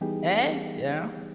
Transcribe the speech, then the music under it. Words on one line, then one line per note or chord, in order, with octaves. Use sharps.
Hey, yeah.
E3 G3 B3 D#4 G4 G#4